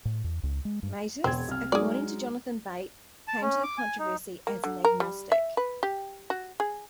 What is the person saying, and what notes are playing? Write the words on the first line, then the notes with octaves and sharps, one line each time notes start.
Matus, according to Jonathan Bate, came to the controversy as an agnostic.
A2
E2
C#2
G#3
G2
E1 E2 C4 G#6
C2 F6
F#3 G#3 D#4 G#4 D5
A5
C#4
D6
G#5
D#4
A#3
D3
A#4
G3
E5
B4
G4
F#4
G#4